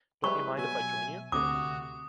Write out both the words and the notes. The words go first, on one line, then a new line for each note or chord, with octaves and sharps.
Don't you mind if I join you?
G3 G#3 E4 B4 C#6
B2 F#3 E5 G#5
D2 C3 A3 F#4 D6 D#6